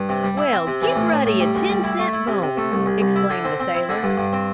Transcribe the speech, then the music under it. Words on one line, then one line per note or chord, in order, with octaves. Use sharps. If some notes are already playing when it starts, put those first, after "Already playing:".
"Well, give Ruddy a ten cent bone!" exclaimed the sailor.
Already playing: G2
C3
G3
E4
C4
C3
E3
A2
A2
A2
G3
D2
G3
E4
A3
E4
C3
C3
A3
C2
C2
C2
E4
D3
C4
C4
E4
D3
G2
G2
C4